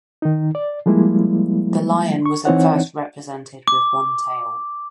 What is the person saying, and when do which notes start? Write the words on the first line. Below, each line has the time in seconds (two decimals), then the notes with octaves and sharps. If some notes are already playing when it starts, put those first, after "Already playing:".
The lion was at first represented with one tail.
0.22 D#3 D#4
0.55 D5
0.86 F3 G3 G#3 A#3 E4
2.26 C#6
2.45 E3 C4 D#4 C#5 F#5
3.68 D6